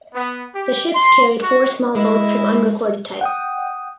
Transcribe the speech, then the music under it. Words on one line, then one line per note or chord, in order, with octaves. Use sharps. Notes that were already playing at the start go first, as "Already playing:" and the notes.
The ships carried four small boats of unrecorded type.
B3
G4
C6
F#4
G#3 E4 D#5
F#5 G5 D#6